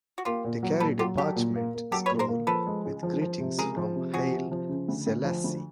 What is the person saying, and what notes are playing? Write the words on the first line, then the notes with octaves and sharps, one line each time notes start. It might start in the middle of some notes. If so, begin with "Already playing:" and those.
They carried a parchment scroll with greetings from Haile Selassie.
F#4
A#3 F4 G4
A#2
F#3
A#2 A4 B4
F#3 F4 G4
F#3 G4 A4
A#2
A#3
A#3
F#3 G4 A4
B4 C#5
A#2
A#4 C5
A#3
F3 A4 B4
G#3
C#2
F3
F3
C3
C#2 G#4 A#4
F3
C3
F3 F#4 G#4
C3
F3
C#3
D2
D2
F3
D2